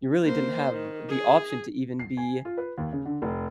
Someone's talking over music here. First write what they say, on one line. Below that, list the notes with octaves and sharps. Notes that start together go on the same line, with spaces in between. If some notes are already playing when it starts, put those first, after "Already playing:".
you really didn't have the option to even be,
A#3 C5
D#3
G#4
C7
G#5
F4
B4
D#2
C#3
D3
F1